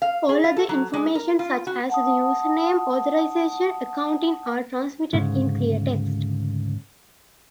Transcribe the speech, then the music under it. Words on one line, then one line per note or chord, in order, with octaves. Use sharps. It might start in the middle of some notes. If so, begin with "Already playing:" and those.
All other information such as the username, authorization, accounting are transmitted in clear text.
F5
G#4
F4
A4
F#3
G#3
A#4
F4
F#4
F#5 A5 D#6
D2 G#2 C#3